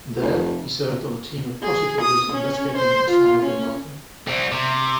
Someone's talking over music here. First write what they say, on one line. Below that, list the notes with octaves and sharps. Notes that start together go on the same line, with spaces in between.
There, he served on a team of prosecutors investigating Osama bin Laden.
F1
G#4
D#6
C#4
C5
F4
C#4
G3 C4
C3